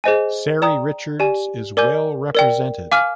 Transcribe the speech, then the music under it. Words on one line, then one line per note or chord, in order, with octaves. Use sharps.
Ceri Richards is well represented.
G#4 C5 D#5 G#5
D5 G5 A#5 D#6
G4 D5 G#5
A#4 D5 G#5 D6 G6
A#4 D5 G5
F5 G#5 D6 F6